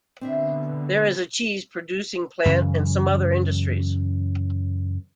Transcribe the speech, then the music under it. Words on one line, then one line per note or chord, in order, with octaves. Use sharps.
There is a cheese producing plant and some other industries.
B2 D3 B3 C4 D4 E5
F#2 C#3 E3 C#4